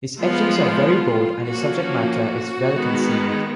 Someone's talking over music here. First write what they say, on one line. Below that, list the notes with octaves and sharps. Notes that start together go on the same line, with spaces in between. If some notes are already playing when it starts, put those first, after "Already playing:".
His etchings are very bold and his subject matter is well conceived.
F3 G#3 B3 F4
F4
F3 A#3 C#4 F#4
F#4
D#3 G#3 B3